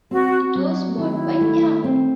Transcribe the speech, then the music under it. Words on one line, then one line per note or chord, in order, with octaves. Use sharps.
It was bought by Yahoo!
C4 F#4
F#3
D#3 E4
A3
C4